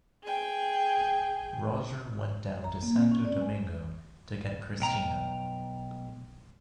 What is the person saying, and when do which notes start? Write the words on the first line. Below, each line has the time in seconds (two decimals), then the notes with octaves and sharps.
Roger went down to Santo Domingo to get Christina.
0.24 G#4 G5
2.64 A#5
2.83 A#3
2.96 C4
3.11 C#4
3.25 D5
3.41 G#3
4.80 B1 G5 A#5